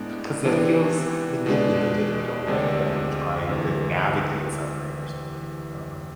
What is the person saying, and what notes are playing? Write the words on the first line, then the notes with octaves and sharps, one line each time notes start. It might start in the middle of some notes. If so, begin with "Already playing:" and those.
'cause that feels manipulative in a way, like you're trying to navigate something or something. I don't know.
Already playing: A2 G#3 B3 D4
C3 E3 B3 D4
B2 G#3 D4
D2 C3 G#3 D4
D2 C3 E3